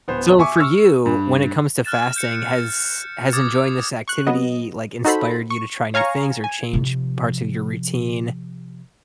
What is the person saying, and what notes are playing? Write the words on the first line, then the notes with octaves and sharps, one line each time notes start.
So for you, when it comes to fasting, has has enjoying this activity, like, inspired you to try new things, or change parts of your routine?
D1 B3 C5
E5 G#5 C#6 D6
C#6 E6 F6
G2
F6 F#6 A6 E7
G6 C#7
D6 D#6 G#6 A6
C#6 F#6
F#3 B3 D#5
D#4 F#4 A4 C5 B5
C#6
C#5 F5 G#5 A#5 C#6
G#5
C3 F3